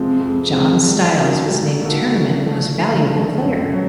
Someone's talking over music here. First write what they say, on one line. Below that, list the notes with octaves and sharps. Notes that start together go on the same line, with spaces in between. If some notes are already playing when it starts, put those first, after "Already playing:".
John Styles was named Tournament Most Valuable Player.
Already playing: F2 C3 F3 G#3 C4
F2
C3 F3 G#3 C4
G3
A#3 D#4 F#4 A4
G3
A#3 D#4 F#4 A4
D3
F3 A3
D3
F3 A3
F#2
F#3